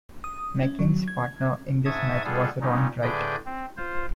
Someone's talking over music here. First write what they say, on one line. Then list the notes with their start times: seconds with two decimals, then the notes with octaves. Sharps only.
McInnes' partner in this match was Ron Wright.
0.24 D#6
0.62 C#4
0.79 F#3
1.08 G#6
1.85 G#2 E5 A5 C#6 D#6 G#6
2.24 G3 B3 F4 G#4 A4
2.61 A#2 G3 C#4 D#4
3.02 A2 D3 G#4 B4 D5 G6
3.46 C4
3.77 F4 C5